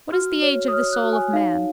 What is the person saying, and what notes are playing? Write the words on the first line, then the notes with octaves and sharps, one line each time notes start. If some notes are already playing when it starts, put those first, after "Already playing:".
What is the age of the soul of man?
F#4 F6
C#5
D#6
C#5 F6
F#6
F#4
G#5
D#4 F5